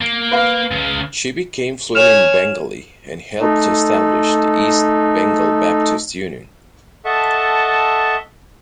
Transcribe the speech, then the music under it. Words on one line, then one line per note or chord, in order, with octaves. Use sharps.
She became fluent in Bengali and helped establish the East Bengal Baptist Union.
A#3
B4 F5
C#2 C#3
C#5 G#5 F6 E7 F7
A3 D#4
A4 D#5 E5 F#5 A5 C#6